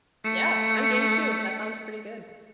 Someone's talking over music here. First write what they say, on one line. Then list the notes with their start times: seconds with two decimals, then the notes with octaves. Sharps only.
Yeah, I'm game too. That sounds pretty good.
0.24 A3 C#7